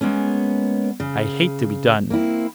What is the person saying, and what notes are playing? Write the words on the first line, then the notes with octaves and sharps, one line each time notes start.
I hate to be done.
G#3 A#3 B3 C#4
C#3
A#3 C4 E4